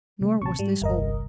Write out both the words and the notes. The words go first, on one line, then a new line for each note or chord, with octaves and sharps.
Nor was this all.
C3 G3 A3
A1 C3 A5 C#6
G#2 G3
G1 E2 A#4 D#5
C2